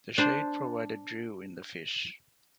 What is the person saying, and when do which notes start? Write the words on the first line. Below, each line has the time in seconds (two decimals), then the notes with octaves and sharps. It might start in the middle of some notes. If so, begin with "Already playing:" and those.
The shade provided drew in the fish.
0.18 D4 C5